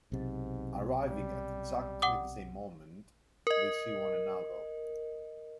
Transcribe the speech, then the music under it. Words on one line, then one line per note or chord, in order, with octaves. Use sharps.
Arriving at exactly the same moment, they see one another.
B1 G#2 C3
G3
F#5 D6 D#6
A#4 D#5